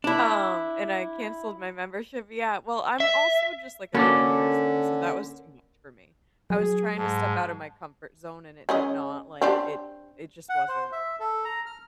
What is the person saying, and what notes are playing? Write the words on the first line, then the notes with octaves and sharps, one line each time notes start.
Um, and I cancelled my membership. Yeah. Well, I'm also just, like, a shy person, so that was too much for me. I was trying to step out of my comfort zone and it did not, like it it just wasn't
D4 E4
E5
D3 A#3 C#4 F#4 A4 B4 D5
F#3 G#4
G#2 A5
G#3 C#4 D#5
C4 D4 G4
F#5
C5
E5
A4
A#5
F6